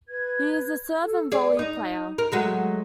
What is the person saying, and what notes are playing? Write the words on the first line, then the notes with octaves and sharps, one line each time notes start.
He is a serve-and-volley player.
B4 G#6
A4
G#4 D5
D#4
A#4
F#3 G#3 A3